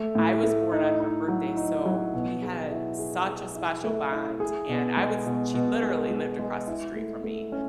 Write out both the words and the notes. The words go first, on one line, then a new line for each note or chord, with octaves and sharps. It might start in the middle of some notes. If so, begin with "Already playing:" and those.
I was born on her birthday, so we had such a special bond, and I was she literally lived across the street from me,
Already playing: A3
A2
A3
D#4
D#4
F#3
D#4
F#3
B2
G#4
E4
G#4
G#4
E4
A3
E4
G#4
B2
G#3
B2
B2
G#3
G#3
G#3
E4
A3
A3
C#4